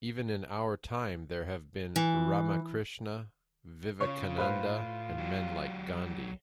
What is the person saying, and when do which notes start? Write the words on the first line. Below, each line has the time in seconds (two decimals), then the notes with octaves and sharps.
Even in our time there have been Ramakrishna, Vivekananda, and men like Gandhi.
1.96 E3
4.00 C#3 F4 C#5
4.38 A2 B4 C5 F5
5.17 F#3 G4